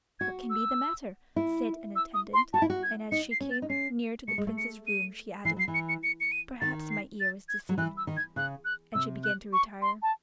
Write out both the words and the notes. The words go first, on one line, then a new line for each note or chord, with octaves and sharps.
"What can be the matter," said an attendant, and as she came near to the Prince's room she added, "Perhaps my ear was deceived," and she began to retire.
F#4 G#6
E6
E4
E6
D#6
C6
F#4 A5
E4
F#4
G#6
D#4 C#7
C7
C#4
A6
D#4
C#4 C7
A3 C#7
G#3
A3
C#7
D#7
E3 C7
F#3 C7
E3
C#7
C#7
C#7
C#7
D#7
D#3 A6
C7
A6
G#6
F#3
E3 F#6
E6
D#3
G#6
C#3 F#6
F#6
C3 E6
F#6
C#6
C6
A5